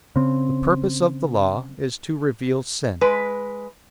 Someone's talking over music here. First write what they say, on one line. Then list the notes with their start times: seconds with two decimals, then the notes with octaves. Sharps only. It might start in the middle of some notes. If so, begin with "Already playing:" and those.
The purpose of the Law is to reveal sin.
0.16 C#3 C4
3.01 G#3 B4